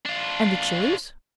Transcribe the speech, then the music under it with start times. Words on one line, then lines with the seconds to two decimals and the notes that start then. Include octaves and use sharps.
"And the chilis?"
0.06 D4 F4